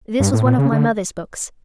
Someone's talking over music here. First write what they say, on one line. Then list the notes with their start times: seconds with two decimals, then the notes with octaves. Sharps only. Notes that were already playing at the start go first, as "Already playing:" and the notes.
This was one of my mother's books.
0.20 G2
0.33 A2
0.45 A#2
0.58 C#3
0.72 D3